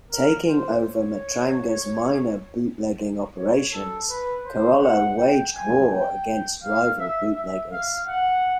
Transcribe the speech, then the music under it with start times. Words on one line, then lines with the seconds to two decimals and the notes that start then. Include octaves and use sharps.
Taking over Matranga's minor bootlegging operations, Carollo waged war against rival bootleggers.
0.11 A#4
0.48 C5
0.83 C#5
3.36 C#5
3.73 A4
4.10 B4
4.46 C5
4.81 F#5
5.18 G5
5.54 G#5
5.90 G5
6.63 F5
6.98 E5
7.35 E5
7.72 F5
8.07 F#5